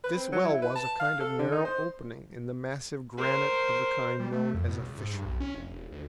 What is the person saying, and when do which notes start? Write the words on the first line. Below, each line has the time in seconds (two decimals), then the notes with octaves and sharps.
This well was a kind of narrow opening in the massive granite of the kind known as a fissure.
0.04 B4
0.16 C4
0.32 F#3
0.45 E4
0.62 B4
0.75 A5
1.00 F5
1.20 A4
1.39 D3
1.52 D#4
1.65 C5
3.18 A#4 C5
4.19 G3
4.32 A3
4.54 F2
4.68 B2
4.81 C#2
4.98 G#2
5.13 G2
5.25 B1
5.40 C#4
5.55 F1
5.71 E1
5.92 D2